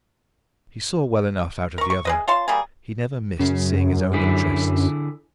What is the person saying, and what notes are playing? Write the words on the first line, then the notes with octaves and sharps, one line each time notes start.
He saw well enough out of the other; he never missed seeing his own interests.
A#4 C#6
C#6
G#4 B4 D#5
F4 C#5 A5 C6
G3 A#3 G#4
F#2 C#3
D3 E4 G#4